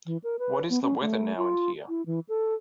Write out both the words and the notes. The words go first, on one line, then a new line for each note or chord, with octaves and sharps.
What is the weather now and here?
E3
A#4
B4
B3
C#4
A3
F4
E4
E3
A4